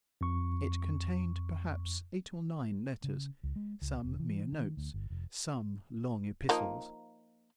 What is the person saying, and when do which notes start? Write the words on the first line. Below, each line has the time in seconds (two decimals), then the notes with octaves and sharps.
It contained, perhaps, eight or nine letters,--some mere notes, some long epistles.
0.21 F2 C#6
3.04 C#3
3.43 C#2
3.56 G#3
3.82 C#2
4.04 E1
4.19 E3
4.52 D#3
4.77 D2
4.94 G1
5.10 F1
6.49 F3 A#3 D#4